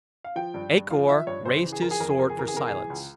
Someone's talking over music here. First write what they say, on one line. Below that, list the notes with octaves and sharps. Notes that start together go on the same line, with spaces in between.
A-Kor raised his sword for silence.
F5
F3 G5
G2
G2
F3 F5
F3 E5
G2 C#5
C#3 C5
E3
G#4
F2 A#4
G#4
F2 A#4
G#4
C#3 A#4
G#4
E3 A#4
G#4
C3 A#4
G#4
E3
C#2